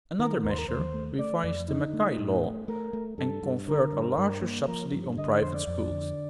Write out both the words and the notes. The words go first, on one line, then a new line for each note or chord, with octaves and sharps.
Another measure revised the Mackay Law and conferred a larger subsidy on "private" schools.
D#3 A#4
D#2 A#4
C5
A#4
D#2 C5
A3
A3 D5
F2 D5
D3 D#4
A3
A2
A3
A3 A#4
A3
G2 A4
G2
D3 A#4
G2
G2
A#3
F3 A#4
G2
D3 D#5
D5
F2 C5
D5
F2
D3